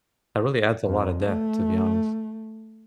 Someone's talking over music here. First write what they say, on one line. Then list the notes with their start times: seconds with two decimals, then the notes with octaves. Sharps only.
That really adds a lotta depth, to be honest.
0.86 F2
1.23 A3